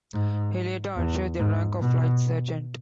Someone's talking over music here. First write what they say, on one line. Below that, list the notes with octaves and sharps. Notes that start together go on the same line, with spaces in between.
He later achieved the rank of Flight Sergeant.
G#2
E2
G#2
B2